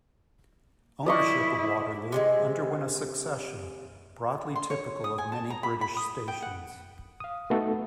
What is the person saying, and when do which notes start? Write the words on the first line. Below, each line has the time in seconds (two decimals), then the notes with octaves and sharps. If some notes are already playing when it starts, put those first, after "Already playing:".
Ownership of Waterloo underwent a succession, broadly typical of many British stations.
1.06 E4 D5 D#5 C#6
2.12 C3 F#3 G#3
4.56 C6
4.70 C#5
5.04 D#6
5.18 G#5
5.32 A5
5.50 A#5
5.63 B5
5.81 B5
5.97 D#6
6.28 G5
6.42 F#5
7.20 F5 D#6
7.50 A3 B3 D#4 F#4 A4